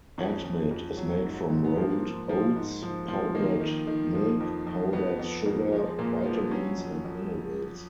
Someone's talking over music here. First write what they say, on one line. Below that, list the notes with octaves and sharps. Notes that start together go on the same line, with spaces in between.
Atmit is made from rolled oats, powdered milk, powdered sugar, vitamins, and minerals.
F2 C#4
F2
F2
F#3
G#2
G#2
B3
F3 A#3
F3
F3
G#2
F3
F3
D#3 A#3
D#3
D#3
F3
F2
F2
F2 B3
F2 B3
F2 A#3
F3 G#3
A#2 A#3
F3 B3
F#3 C#4
F2
F2